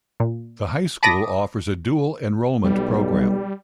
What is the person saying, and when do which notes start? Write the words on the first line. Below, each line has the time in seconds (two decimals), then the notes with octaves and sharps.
The high school offers a Dual Enrollment program.
0.20 A#2
1.03 A5 B5 D6 D#6 A#6
2.64 B1 G3